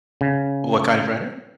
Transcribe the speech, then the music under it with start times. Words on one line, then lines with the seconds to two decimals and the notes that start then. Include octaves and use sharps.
what kind of writer?
0.21 C#3